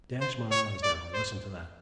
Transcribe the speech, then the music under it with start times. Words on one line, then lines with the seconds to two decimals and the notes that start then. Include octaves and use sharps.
'Dash my eyes now; listen to that!
0.21 C5
0.51 C#5
0.83 D5
1.13 C5